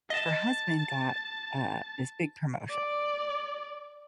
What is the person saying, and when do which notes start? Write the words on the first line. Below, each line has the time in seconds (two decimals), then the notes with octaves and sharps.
her husband got a this big promotion
0.10 D#5 A5 E7
2.70 D5